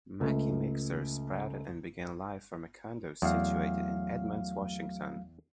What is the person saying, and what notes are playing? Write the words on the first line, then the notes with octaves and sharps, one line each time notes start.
Mackie Mixers sprouted and began life from a condo situated in Edmonds, Washington.
C#2 A3
E2 F#3 A3 F5